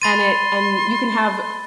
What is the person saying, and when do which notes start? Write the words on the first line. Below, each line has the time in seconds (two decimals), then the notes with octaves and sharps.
and it and you can have
0.02 B5 C6 A6 D#7